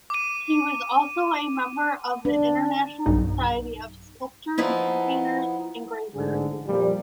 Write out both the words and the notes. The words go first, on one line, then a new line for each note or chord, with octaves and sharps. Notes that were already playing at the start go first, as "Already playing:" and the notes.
He was also a member of the International Society of Sculptors, Painters and Gravers.
D6 D#7
D4
B1 G2 D#4
F3 B3 D#4 E4
A1 G#2 D3 G#4
F2 A#2 F3 G3